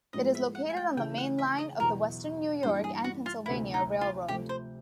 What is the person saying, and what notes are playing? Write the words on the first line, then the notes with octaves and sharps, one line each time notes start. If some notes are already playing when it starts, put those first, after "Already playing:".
It is located on the mainline of the Western New York and Pennsylvania Railroad.
A2 F3 G#3 B3 E4 D#5
E5
F#5
G#5
G5
C#3 E3 A3 G5
F#5
E5
D#5
E2 B2 F#3 A#4
G2 E3 G3 A#3 D4 C5
G#4
F#4
F4
D2 C3 E3 A3 E4
D#4
F4
C3 F3 A3 G4
C5